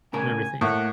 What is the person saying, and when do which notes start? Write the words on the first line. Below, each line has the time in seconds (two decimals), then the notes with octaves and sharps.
and everything.
0.13 A2 C#3 A#4 G#5
0.61 A2 A3 A#3 F#5